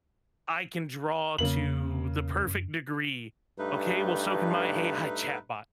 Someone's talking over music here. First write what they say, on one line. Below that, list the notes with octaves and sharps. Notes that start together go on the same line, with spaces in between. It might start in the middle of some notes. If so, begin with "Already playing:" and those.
"I can draw to the perfect degree." "Okay, well, so can my AI chatbot."
E2 C#3 A#3 F#7
F#2
G2 A3 D#4 B4